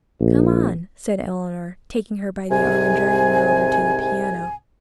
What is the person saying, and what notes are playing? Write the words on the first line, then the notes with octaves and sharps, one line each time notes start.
"Come on," said Eleanor, taking her by the arm and dragging her over to the piano.
A#1
C2 G#2 C3 G#5